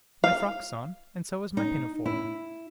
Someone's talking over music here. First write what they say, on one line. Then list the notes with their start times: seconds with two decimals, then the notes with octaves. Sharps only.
"My frock's on, and so is my pinafore."
0.24 F5
1.57 D#4
2.06 E4